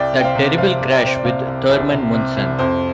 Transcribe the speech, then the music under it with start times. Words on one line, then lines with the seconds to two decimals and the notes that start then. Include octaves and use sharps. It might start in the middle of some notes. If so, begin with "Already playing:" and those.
That terrible crash with Thurman Munson.
Already playing: C2 D5 G5
0.13 C3
0.20 G5
0.24 C5 F5
0.35 C3
0.58 C2 C5 F5
0.81 C2
0.91 D5 G5
1.02 C3 C5
1.16 D5
1.25 C3 C5 F5
1.47 C2
1.69 C2
1.92 C3
2.14 C3
2.37 C2
2.59 F2 C5